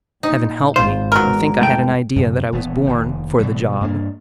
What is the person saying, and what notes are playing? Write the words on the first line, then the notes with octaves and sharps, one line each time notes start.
Heaven help me, I think I had an idea that I was born for the job.
A#2 D#4
G#1 F4 C5
E2 G#2 F#3 A#4
A3 G5
F#2 C3
D#1 E3 B3
F1 D#2
B2 E3 G3
G2 A#3 C4 D4